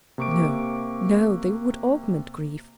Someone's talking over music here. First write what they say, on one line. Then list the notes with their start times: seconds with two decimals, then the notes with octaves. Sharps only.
No, no, they would augment grief.
0.18 C3 A#3 C#6 D6 D7